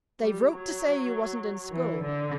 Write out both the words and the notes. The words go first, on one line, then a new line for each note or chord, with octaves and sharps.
"They've wrote to say you wasn't in school."
G3
F#3
E3
D3